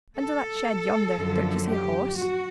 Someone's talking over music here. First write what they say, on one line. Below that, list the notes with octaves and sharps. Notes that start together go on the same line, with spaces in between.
"Under that shed yonder, don't you see a horse?"
A4
F#2 D3 F3
G4
F#4